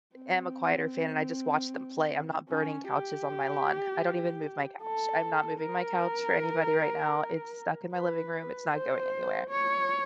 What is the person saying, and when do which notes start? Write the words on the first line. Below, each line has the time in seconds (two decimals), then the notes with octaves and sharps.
am a quieter fan, and I just watch them play, I'm not burning couches on my lawn. I don't even move my couch. I'm not moving my couch for anybody right now, it's stuck in my living room, it's not going anywhere.
0.16 C4
2.50 C#4
2.88 G4
4.82 A4
5.60 A#4
7.94 B4
8.73 C5
9.50 C#5